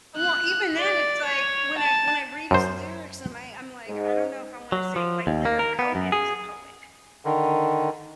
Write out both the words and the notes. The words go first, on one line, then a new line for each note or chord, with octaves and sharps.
Well, even then it's, like, when I when I read his lyrics and I I'm, like, I don't know if I wanna say, like, Leonard Cohen is a poet.
F#6
D5
C#5
A5
F#2 C5
G#2
F#3
F3
D#2
A#3
A#4
B3
F#2
G#4
D3 D#3